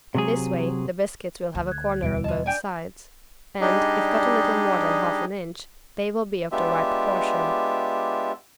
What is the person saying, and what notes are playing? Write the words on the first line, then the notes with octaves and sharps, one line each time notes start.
In this way the biscuits will have a corner on both sides and, if cut a little more than half an inch, they will be of the right proportion.
C3 F#3 G#4
D2
F#6 G#6
E2 B2 G3 D7
F4 D#5 A5
D4 D5 G5 G#5 G6
G3 D4 D#4 G4 G#4 D#5
G#3 B3 D4 F4 G4 E5